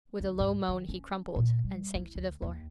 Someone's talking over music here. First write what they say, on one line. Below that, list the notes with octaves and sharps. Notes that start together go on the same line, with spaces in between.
With a low moan he crumpled and sank to the floor.
D2
G#2
D#3
C#4
A#2
G3
E4
D2
D#2